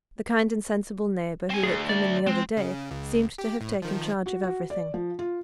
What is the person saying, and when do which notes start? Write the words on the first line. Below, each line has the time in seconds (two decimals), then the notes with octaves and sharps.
The kind and sensible neighbour, who had come in the other day, seemed to have taken charge of everything.
1.50 C4 G#5
1.63 D2 G#4
1.89 D5
2.27 G#3 C4
2.57 C#3
2.91 C#2
3.38 G4
3.61 A2
3.82 D#3 F3
4.26 F#4
4.43 F#4
4.70 D5
4.94 F3
5.19 F4